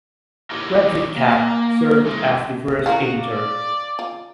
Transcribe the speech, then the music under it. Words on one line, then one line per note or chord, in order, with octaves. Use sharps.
Friedrich Kapp served as the first editor.
D#4 E4 G4 A#4 C#5 D#5
A#3
E3 G#3
F3 E4 F#4 A#4 F5
D5
F4